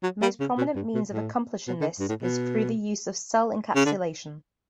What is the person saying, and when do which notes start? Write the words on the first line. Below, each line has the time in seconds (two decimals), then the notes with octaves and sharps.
The most prominent means of accomplishing this is through the use of cell encapsulation.
0.03 F#3
0.22 G3
0.40 C#3
0.58 B2
0.76 G2
0.94 B2
1.12 A2
1.67 B2
1.80 D3
1.99 G2
2.09 A2
2.22 B2
3.75 C#3
3.85 D3